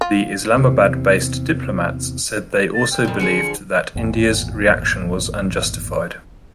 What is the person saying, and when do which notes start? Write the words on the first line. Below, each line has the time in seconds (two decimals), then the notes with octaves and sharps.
The Islamabad-based diplomats said they also believed that India's reaction was unjustified.
0.01 F4
0.57 E2 C3
2.74 A6
2.91 G5
3.05 F2 A#2
3.19 D3 F3 G#4 C#7
3.95 G#1 E2 A#2